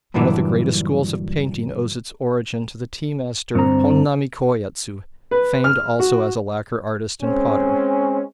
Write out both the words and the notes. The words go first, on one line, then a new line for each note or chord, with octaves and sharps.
One of the greatest schools of painting owes its origin to the tea-master Honnami-Koyetsu, famed also as a lacquer artist and potter.
G2 A#2 D3 E3 F#3 D4
G2 D3 C4 A#5
B4
F6
F#4
G#3 C4 C#4